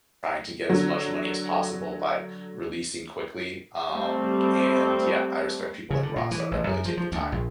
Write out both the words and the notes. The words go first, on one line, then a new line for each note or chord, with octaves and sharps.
trying to get as much money as possible by releasing quickly. Um, and, yeah, I respect people like Rockstar that really take their time.
D3 F#3
G3 A3 C4
C#3
D3
A#2
E3
A1
F#2
F3
F3
D2
A#1